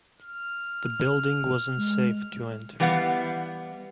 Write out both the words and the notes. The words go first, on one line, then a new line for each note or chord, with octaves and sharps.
The building was unsafe to enter.
F6
G#3
E3 G3 B3 F5 F#5